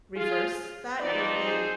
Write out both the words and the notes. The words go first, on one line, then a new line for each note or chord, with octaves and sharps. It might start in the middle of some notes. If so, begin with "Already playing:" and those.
reverse that, it would be
F4 G#4
F3 C4 D#4 B4 D5
G#4 C5